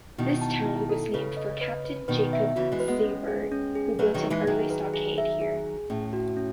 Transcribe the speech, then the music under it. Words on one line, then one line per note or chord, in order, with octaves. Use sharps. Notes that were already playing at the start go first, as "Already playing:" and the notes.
This town was named for Captain Jacob Seybert who built an early stockade here.
B2 D#3 E4
A5
E4
A4
C#3 B4
D#5
B4
B4
B2 D#3 B4
E5
C#3 E3 F#4
E3 G#3
B4
G#3 B3
C#4
G#4
C#4
G#4
F#3 A3 B4
D#3 F#3
D#4
E3 G#3
D#3 F#3 G#4
B4
G#4
E5
G#4
G#4
A2 C#4
F#4
C#4